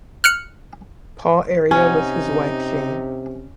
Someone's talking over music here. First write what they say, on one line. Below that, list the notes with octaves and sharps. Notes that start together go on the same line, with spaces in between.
Paul area with his wife, Jane.
F6 F#6 C#7
C3 C#4 D#4 F#5 G#5